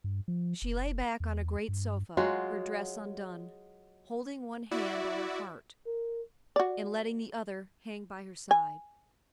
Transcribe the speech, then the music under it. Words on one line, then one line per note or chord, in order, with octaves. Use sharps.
She lay back on a great sofa, her dress undone, holding one hand on her heart, and letting the other hang by her side.
G2
F3
F1
E2
G2
F#3 G#3 F4 F#4
E4 F#4 D5 E5
A#4
F#4 D5
G#5